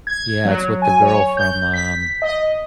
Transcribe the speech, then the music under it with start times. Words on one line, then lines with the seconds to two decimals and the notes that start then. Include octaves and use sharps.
Yeah, it's with the girl from, um,
0.07 G#6
0.45 F#3
0.82 G#5
1.02 C#5
1.37 G6
1.74 B6
2.22 D#5